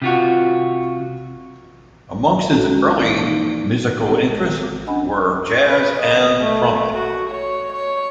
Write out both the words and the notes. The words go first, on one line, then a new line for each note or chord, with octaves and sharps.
Amongst his early musical interests were jazz and trumpet.
C3 F4 F#4
G#3 C#4 F#4 A4
E3 A#3 E4 D5 D6
B2 F3 A#3 D#4
G#3 B3 C4 G4 A4 A#4
D6
C#4 D4 D#5 F#5 G#5 B5
B4
D#5
A3
F#4
C#5
C#5